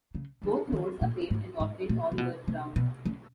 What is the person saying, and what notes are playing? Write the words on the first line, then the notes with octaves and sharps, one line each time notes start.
Both roads are paved and operate all year round.
C#3
D3
D#3
A#2
G#2
G#2
A#2
C3
B2
C3
B2
C#3